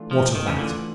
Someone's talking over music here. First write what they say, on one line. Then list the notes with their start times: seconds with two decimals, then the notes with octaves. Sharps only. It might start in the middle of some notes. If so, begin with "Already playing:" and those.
What of that?
Already playing: E3 A3 D4 F4
0.11 F3
0.35 D#3
0.48 C#3
0.59 D3 E3 A3 D4 F4